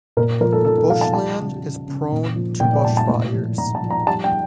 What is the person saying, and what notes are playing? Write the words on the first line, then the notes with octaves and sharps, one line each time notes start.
Bushland is prone to bushfires.
A#2 A#4
F3 A#4
A4
F3 A4
A4
F3 F5
A5
G3 A5
C#3
C#3
C#3
A#2
F3
A#2 G5
D5
A#2 A5
A5
A2 A5
F3
A2 A#5
A5
F3
A#5
G3 A5
G5